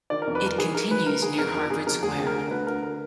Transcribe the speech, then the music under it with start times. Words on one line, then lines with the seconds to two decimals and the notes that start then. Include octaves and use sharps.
It continues near Harvard Square.
0.10 D#3 D5
0.22 A#4
0.27 F2
0.35 B4
0.42 D#3 A#4
0.58 D#3 G#4
0.74 D#3 A#4
0.91 D#3 B4
1.06 D#3 A#4
1.22 D#3 G#4
1.38 F2 A#4
1.55 D#3 A#4
1.70 F2 G#4
1.86 F2 A#4
2.03 D2 G#4
2.19 D3
2.27 A#4
2.35 D3
2.50 D2 B4
2.67 D3 A#4
2.83 A#4